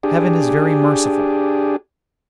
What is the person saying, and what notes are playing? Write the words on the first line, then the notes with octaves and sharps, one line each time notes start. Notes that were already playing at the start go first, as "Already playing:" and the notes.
Heaven is very merciful.
D4 G4 G#4